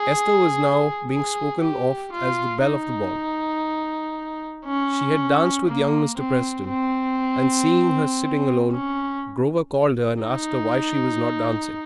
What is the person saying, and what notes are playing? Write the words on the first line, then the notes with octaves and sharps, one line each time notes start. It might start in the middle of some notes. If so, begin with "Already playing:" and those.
Esther was now being spoken of as the belle of the ball, she had danced with young Mr. Preston, and seeing her sitting alone Grover called her and asked her why she was not dancing.
Already playing: G#4
G#4
G4
F4
D#4
C#4
A#3
C4
C4
C#4
D#4